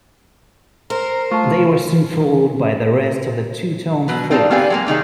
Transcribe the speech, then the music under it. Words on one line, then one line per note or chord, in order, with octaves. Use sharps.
They were soon followed by the rest of the Teutones' force.
A#4 C5
A3 F4 A5 C#6
B2 F#3 B4
C4 D#4 D5 F5 A5
B3 C4 G4 D5 F5 G#5
F#3 G#3 A#3
C3 D#3 D#4 G#4